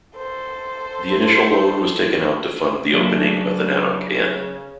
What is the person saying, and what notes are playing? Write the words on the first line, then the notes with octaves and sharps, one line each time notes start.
The initial loan was taken out to fund the opening of the Nanuq Inn.
A4 C5
C#3 F#3 A#3 D4 E5